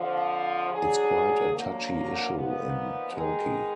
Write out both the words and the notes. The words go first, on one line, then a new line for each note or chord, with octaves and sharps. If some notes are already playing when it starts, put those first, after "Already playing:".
It's quite a touchy issue in Turkey.
Already playing: F2 D3 F3
F#3 D4 G#4
D3 F#3 A#3
A#2 F3 B3 D#4
D#3 G#3 B3 D#4 G#4